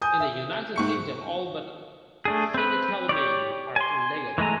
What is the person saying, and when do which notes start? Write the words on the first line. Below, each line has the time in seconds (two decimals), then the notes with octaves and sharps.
In the United Kingdom, all but phenethylamine are illegal.
0.02 G#5 D#6 G6
0.20 E5
0.76 G#2 C#6 C#7
2.25 A3 D4 G#4
2.54 C4 B4
3.09 G4 C#5 D5
3.76 G#5 C6
4.38 E3 G#3 A3 G#5 A#5